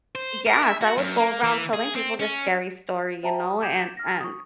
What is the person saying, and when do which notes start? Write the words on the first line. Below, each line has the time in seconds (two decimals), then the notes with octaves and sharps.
Yes, I would go around telling people this scary story, you know? And and
0.15 C5
0.46 A#4
0.63 E5
0.82 F#4
0.97 F#2
1.17 A#3
1.43 E3
1.73 G#4
1.95 C4
2.20 C#4
3.23 C5 E5 G5 A5 A#5
3.45 D#6
3.62 D6 G6 G#6 D7 E7
3.97 F6 A#6
4.20 C#6 D#6